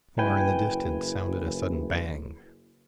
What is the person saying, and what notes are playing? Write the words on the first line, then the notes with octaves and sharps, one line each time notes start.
Far in the distance sounded a sudden bang.
F#1 E4 B4 G5 G#5